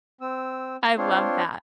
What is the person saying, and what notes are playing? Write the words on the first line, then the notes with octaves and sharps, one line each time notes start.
I love that.
C4 E6
C4 D4 F4 C#5 C6